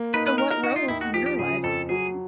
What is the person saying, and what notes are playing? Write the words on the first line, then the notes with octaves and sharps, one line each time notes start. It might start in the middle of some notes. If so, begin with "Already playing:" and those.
so what roles in your life? Mhm.
Already playing: A#3
D#4 B4
B4
D#4 A#4
A#4
D#4 F#4
F4
D#2 E4
F#4
F3 G4
G4
C#3 G#4
F2 A4
F#3 G#4